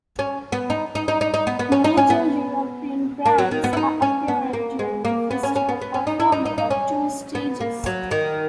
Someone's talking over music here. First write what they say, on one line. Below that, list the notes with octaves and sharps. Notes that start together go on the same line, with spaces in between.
Major European bands are appearing during the festival, performing on two stages.
C#4
B3
D#4
D#4
D#4
D#4
D#4
B3
B3
C#4
D#4
C#4
B3
A#3
F#3
D#3
B3
E4
D#4
C#4
B3
A#3
G#3
A#3
B3
C#4
C#4
B3
B3
C#4
D#4
E4
D#4
D#4
D#4
C#4
B3
A#3
F#3
D#3